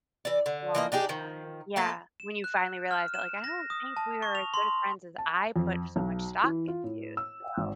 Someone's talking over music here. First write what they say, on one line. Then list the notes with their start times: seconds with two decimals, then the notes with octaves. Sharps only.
Long time, yeah, when you finally realize that, like, "I don't think we are as good friends as I put so much stock into," so
0.25 E3 D5
0.46 D3
0.75 E3 A#3 D#5
0.92 D4 D#4 G4 G#4
1.09 D#3 F3
1.76 A3 A#3 A4
2.20 E7
2.44 F#6
2.91 F6
3.14 E7
3.44 A#6
3.70 D#6
3.97 A5
4.22 C#6
4.35 F7
4.54 C6
5.18 A5
5.56 F2
5.96 B1
6.44 E3
6.68 F4
6.84 A2
7.17 E6
7.58 G#1